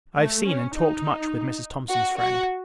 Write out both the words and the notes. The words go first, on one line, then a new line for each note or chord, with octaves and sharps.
I have seen, and talked much with, Mrs. Thomson's friend.
A3
C#4
D#4
F#4
F#4